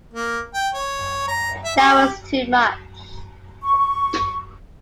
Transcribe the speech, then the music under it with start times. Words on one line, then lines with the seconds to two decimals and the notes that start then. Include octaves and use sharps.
That was too much.
0.13 A#3
0.54 G5
0.74 C#5
1.28 A#5
1.65 E5
1.77 G4
3.63 C#6